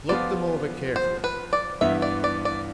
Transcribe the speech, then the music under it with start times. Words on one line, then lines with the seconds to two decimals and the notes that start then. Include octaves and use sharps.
"Look them over carefully," directed he.
0.09 F3 B3 F4 D5
0.96 C5
1.24 B4
1.53 D5
1.81 G2 E3 B3 E5
2.02 D5
2.24 D5
2.45 D5